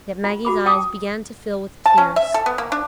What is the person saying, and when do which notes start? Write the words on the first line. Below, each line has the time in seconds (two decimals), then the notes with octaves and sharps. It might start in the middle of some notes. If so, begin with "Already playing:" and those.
Yet Maggie's eyes began to fill with tears.
0.24 F4
0.45 F#4 B5 D6
0.66 G5 A5 D6 D#6
1.86 A5
1.98 C#4
2.16 E5
2.34 A4
2.46 B3
2.58 A#3
2.72 D4